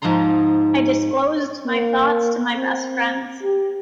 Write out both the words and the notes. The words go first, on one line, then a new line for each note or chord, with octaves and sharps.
I disclosed my thoughts to my best friends.
G#2 F3 D#4 A#5 C6
A#3
C4
G4